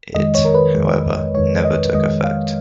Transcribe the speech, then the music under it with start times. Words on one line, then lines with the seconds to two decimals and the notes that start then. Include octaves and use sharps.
It, however, never took effect.
0.15 F2 D#3 G#3 D#5
0.35 C#5
0.45 A#4
0.54 B4
0.75 F2 D#3 G#3
1.34 F2 D#3 G#3 C#5
1.64 D#5
1.94 F2 D#3 G#3 D#5
2.24 F5